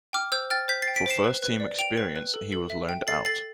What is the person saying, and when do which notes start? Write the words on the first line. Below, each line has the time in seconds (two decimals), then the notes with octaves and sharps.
For first team experience he was loaned out.
0.13 G5 D6 F6
0.32 C5 E6 G6
0.50 G5 F6 A6
0.68 C5 G6 B6
0.82 A6 C7
0.88 G5
0.96 B6 D7
1.06 C5 C7 E7
1.24 B4
1.43 B4
1.60 D5
1.79 G5 D7 F7
1.97 B4
2.16 B4
2.34 A4
2.52 A4
2.70 E5
2.89 G5
3.07 A4 A6 C7
3.25 A4 A6 C7